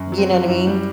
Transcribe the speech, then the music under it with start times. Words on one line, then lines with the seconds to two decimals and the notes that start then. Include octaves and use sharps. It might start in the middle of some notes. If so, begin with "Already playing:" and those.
you know, what I mean?
Already playing: F#2
0.12 F#3
0.18 C4
0.30 F#3
0.42 E4
0.48 F#2
0.67 G3